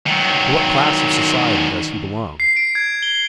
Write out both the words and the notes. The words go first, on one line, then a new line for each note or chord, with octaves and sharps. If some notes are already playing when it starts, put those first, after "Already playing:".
"To what class of society does he belong?"
D#3 F#3
C7
D7
G#6
G7